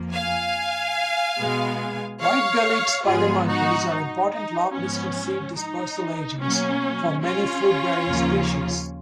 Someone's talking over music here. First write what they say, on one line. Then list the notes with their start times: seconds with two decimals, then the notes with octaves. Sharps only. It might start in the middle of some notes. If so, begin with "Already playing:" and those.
White-bellied spider monkeys are important long-distance seed dispersal agents for many fruit-bearing species.
Already playing: F2 F3 A#3
0.13 F5 G#5
1.39 B2 G#3 B3
2.21 C#5 F5
3.05 G#2 F3 B3 F4 G#4
3.48 D#4 F#4
3.90 D#4
4.31 D#4
4.72 G#2 F3 B3 C#4
5.56 D#4
6.39 B2 F#3 A#3 C#4
7.23 C#4 F4
8.07 D#2 C#3 F3 A#3